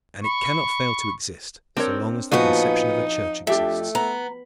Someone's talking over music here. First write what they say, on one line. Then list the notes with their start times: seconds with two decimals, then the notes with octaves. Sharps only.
And it cannot fail to exist so long as the conception of a church exists.
0.24 B5 C#6
1.77 C4 D4 A#4 C#5
2.32 A#2 F3 B3 D#4 F#4 G#5
3.47 F2 A3 D4 G4 E5
3.95 B3 A#5